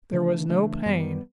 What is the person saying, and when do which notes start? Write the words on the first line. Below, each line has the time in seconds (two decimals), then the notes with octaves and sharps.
There was no pain.
0.13 C#3 E3 A3 D4
0.49 C#3 E3 A3 D4
0.86 F#2 E3 G3 B3